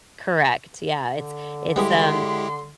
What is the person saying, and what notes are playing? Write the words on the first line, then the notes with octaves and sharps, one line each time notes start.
Correct, yeah, it's it's, um
D3
G3 G#3 B3 E4 G4 G#4 C6